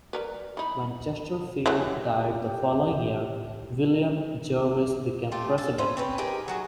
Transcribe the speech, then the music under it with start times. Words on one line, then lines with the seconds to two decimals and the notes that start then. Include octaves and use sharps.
When Chesterfield died the following year, William Jervis became President.
0.13 G3 A#4 B4
0.57 E3 D#4 B5
1.66 E3 F#3 A3 G4
5.32 A3 F4 G4
5.58 A4
5.78 C#4 B4 C5
5.97 C4 C#4 B4
6.18 D#4 G4 G#4 A#4
6.48 F#3 F#4 G#4